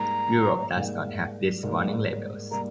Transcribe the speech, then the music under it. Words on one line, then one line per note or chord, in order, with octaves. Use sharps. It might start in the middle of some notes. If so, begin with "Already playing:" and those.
Europe does not have these warning labels.
Already playing: G#2 G3 A#3 A#5
G#2 G3 A#3
G#2 G3 A#3
G3 A#3 A#5